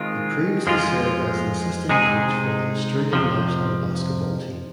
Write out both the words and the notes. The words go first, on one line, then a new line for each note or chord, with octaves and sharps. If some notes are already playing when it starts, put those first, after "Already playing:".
He previously served as an assistant coach for the Australian national basketball team.
Already playing: D#3 G#3 C4 F4
F2 F3 G#3 F4
C3 G#3 D#4 G#4
F2 C3 F3